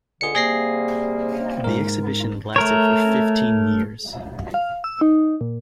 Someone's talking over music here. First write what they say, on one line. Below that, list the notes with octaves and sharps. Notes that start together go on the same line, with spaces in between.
The exhibition lasted for fifteen years.
C#2 D3 G#4 C#7
C3 G3 A#3 G#4 A#6 C7
G#2 A#4
A3 A#4 C#5
F5
E6
D#4
A#2